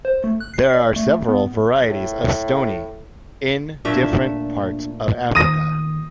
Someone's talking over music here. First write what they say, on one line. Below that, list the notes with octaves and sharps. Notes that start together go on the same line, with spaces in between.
There are several varieties of Stoney in different parts of Africa.
C5
A3
F#6
C7
D5
A3
B3
A2
A#2 A3 D4 E5
D#3 D#6 A#6 D#7